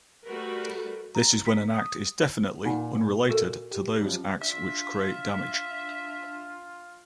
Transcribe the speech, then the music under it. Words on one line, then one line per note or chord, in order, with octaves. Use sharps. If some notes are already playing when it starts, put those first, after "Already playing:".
This is when an act is definitely unrelated to those acts which create damage.
G3 A3 F#4 A#4 B4
A#5
B6
D#6
A#2 D#4 F#5 G#5
F#4 A4 A#4
G4
F#2 F3 G3
D4 F4 E5